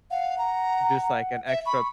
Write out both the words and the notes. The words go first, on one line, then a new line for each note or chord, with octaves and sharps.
just, like, an extra
F5 F#5
A#5
E5
B5 C#6